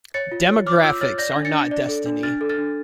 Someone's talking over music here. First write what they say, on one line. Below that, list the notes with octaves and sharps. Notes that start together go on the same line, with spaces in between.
Demographics are not destiny.
C#5 A6 C#7
F4
C#5
C#5 D6 F6
F4 E6 G6
C#5 F6 A6
D5 G6 A#6
D4
A6 C#7
D4
D5
A4
D4
D4 F6 A6
A4
F6 A6
D4